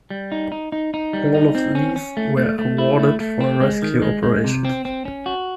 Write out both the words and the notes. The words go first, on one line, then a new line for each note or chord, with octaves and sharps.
All of these were awarded for rescue operations.
G3
D#4
D#4
D#4
D#4
G3
D#4
C4
C#4
C#4
A3
A3
A3
E4
A3
A3
C4
G#3
D#3
G#3
G#3
C3
C4
C4
C#4
F#4